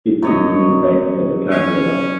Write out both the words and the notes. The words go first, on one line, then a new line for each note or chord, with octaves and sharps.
It sits on the banks of the Tongue River.
F#2 C#5 D#5
C#4